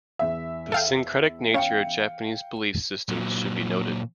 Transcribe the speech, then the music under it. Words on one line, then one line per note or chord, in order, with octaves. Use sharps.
The syncretic nature of Japanese belief systems should be noted.
E2 E5
A4 F5 G5
C#4 F5 G5 C#7
A#2 F#3